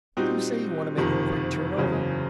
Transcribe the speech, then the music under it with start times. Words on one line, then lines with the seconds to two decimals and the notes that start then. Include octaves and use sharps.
But you say you want to make a quick turn-over?
0.17 A#2 G3 C4 D#4 F#4
0.98 F#1 F2 C3 D#3
1.77 F#1 E2 C#3 F#3